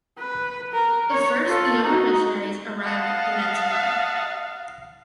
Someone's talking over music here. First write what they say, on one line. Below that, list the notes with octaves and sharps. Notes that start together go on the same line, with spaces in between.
The first younger missionaries arrived the next month.
B4
A#4
C#5
F4 A4
D#4 F#4
D#5 F5 F#5 A5